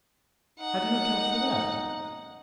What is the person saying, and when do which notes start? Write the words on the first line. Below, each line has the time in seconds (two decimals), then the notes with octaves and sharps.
"How do you account for them?"
0.60 D#4 F#5